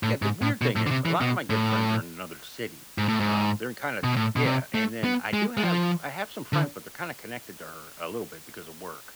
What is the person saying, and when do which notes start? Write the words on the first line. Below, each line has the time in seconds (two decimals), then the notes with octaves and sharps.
Yeah, the weird thing is a lot of my good friends are in another city, um, they're in, kinda yeah, and then, I do have I have some friends, but they're kinda connected to her, a little bit because of work.
0.03 A2
0.22 G#2
0.42 A2
0.62 B2
0.76 A2
0.87 D3
0.91 C3
1.06 E3
1.21 B2
1.50 A2
2.98 G#2
3.08 A2
3.20 G#2
4.04 B2
4.16 A2
4.36 B2
4.46 C3
4.74 A3
5.04 B3
5.33 G#3
5.57 G#3
5.63 F3
6.53 D3